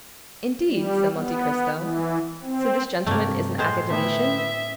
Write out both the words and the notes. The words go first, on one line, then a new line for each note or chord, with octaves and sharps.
"Indeed?" said Monte Cristo; "so this gentleman is an Academician?"
G3
B3
E3
C4
G2 C3 A3 A#3
A2 G#3 C5
D3 A3 B3 E4 E5 G5